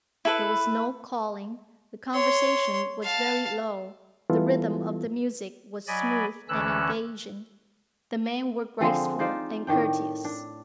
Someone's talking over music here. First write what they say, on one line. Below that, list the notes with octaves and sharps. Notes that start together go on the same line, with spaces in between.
There was no calling, the conversation was very low, the rhythm of the music was smooth and engaging, the men were graceful and courteous.
E4 A4 B4
C#5 C6
F5 A5
E3 G3 B3 E4 F4 A4
F#3 D5 D#5 G#5 B5
D2 D3 E3 C#4 E6 F#6
D3 F3 G#3 C4
D#4 F4 C5 D5
A2 D#3 D4 G5
D4